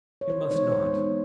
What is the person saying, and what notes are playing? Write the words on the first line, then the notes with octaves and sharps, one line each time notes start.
You must not.
C#5
E3 C5
G#3 B3 D#4 C#5
E3 C5
G#3 B3 D#4